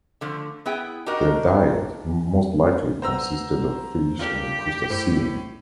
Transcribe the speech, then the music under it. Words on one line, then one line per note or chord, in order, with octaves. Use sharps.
Their diet most likely consisted of fish and crustaceans.
D3 F3 A3
B3 E4 G#4 G5
D4 D#4 F#4 G4 A#4 D#5
B3 C5 A#5 E6
A#3 D4 F4 G4
A2 C5